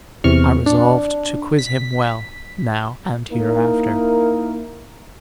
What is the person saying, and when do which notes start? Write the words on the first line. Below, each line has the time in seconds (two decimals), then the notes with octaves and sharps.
I resolved to quiz him well, now and hereafter.
0.24 E2 C3 C#6 F6
0.66 D4
1.59 B6
3.31 A#3 D#4 E4 A#4